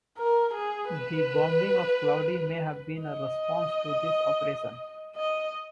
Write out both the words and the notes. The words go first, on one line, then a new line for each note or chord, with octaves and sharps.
The bombing of Claudy may have been a response to this operation.
A#4
G#4
B4
D#5
D#5